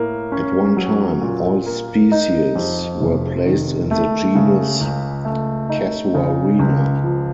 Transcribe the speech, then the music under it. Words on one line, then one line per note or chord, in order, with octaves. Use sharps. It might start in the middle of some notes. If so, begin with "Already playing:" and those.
At one time, all species were placed in the genus "Casuarina".
Already playing: A2 A#3
C#4
F#3
A#2
A#3
D#4
F2
F1
D#3
A3
C#3
C#2
A3
D#4
C#3
C#2
F3